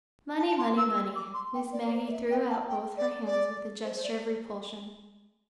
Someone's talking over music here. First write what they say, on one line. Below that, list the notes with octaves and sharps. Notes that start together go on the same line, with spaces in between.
"Money, money, money!" Miss Maggie threw out both her hands with a gesture of repulsion.
A5
A5
C6
E6
E6
D6
C6
G5
D5
D5
C5
D5
E5
G5
A5
G5
D5
D5
C5
C5
D5